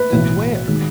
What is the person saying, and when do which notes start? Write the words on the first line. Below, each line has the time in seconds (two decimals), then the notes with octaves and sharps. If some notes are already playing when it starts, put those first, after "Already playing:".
And where?
Already playing: B4
0.12 B1 A2 E3
0.67 D#3 G#3